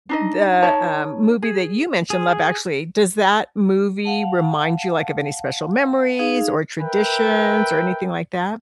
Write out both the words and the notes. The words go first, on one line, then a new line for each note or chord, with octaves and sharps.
the, um, movie that you mentioned- Love Actually- does that movie remind you, like, of any special memories, or traditions, or anything like that?
D4 D#4 D#5
D#4 C#5 A5
G#4
G#4
F5 F#5 A5
D#4 G#4 F5
A#4 B4 E5 G5